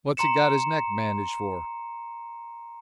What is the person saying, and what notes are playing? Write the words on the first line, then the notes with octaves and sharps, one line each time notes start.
What's he got his neck bandaged for?
A#5 C6 C#7 E7